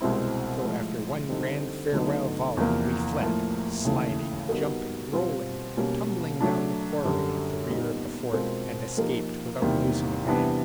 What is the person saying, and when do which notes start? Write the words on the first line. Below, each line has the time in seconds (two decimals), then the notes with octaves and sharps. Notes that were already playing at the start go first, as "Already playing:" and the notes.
So, after one grand farewell volley, we fled, sliding, jumping, rolling, tumbling down the quarry at the rear of the fort, and escaped without losing a man.
0.01 C2 B2 G#3 C4 E4
0.64 A2 F3 G#3
1.29 D3 G3 C4 D#4
1.92 D2 D3 F#3 B3 D#4
2.57 E2 C3 F3 A#3
3.21 A2 F3 A#3
3.85 D#2 C#3 E3 A3
4.49 G3 B3 D#4 F#4 A#4
5.13 B2 G3 C4 F4
5.77 B2 G3 A#3 C#4
6.41 F#3 A3 D4
7.05 F#2 D3 G3
7.69 A#2 G3 B3 D#4
8.33 B2 G#3 C4 F4 A#4
8.97 F3 A#3 D#4 G4 A#4
9.61 E2 C3 D#3 G3 A#3
10.25 C3 E3 G3 B3 D4